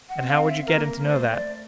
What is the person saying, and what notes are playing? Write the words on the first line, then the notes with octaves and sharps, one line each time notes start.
"And how would you get him to know that?"
F#5
C4
F5
E5
A#4
A#3
A3 C5
D5